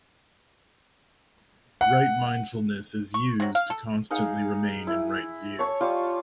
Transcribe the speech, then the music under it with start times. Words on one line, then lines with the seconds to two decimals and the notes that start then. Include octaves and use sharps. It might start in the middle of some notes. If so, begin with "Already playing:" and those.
Right mindfulness is used to constantly remain in right view.
1.81 F#5
3.14 C#6
3.40 C3 F#3
3.55 F5
3.70 A4
4.11 D#4 G#4 F5 F#5
4.87 E4
5.59 C#5 A5 C#6
5.81 G3 F4 F5